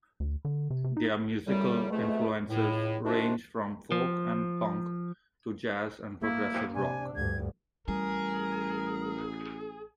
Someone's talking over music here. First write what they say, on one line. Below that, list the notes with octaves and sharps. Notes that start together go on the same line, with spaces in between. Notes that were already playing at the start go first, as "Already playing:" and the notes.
Their musical influences range from folk and punk to jazz and progressive rock.
D2
D3
C3
C3
D#4
F#2 A2 C#3 G3
F2 B2 G#3 A3
C#2 A2
C3 D#3 C4 D4 F4 F#4
F3
A#3 E4
C3 D4 G#5
D2 G2 G#6
A1 G3 G#4 A#4